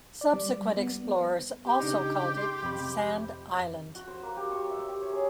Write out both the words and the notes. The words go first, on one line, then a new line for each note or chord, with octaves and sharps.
Subsequent explorers also called it "Sand Island".
D5
G3
B3
G4
C#3 D4 D#4
C6
F2 C3 B5
F#4
C5
A#3
G4
C#6
E5
G4
C#5
G#4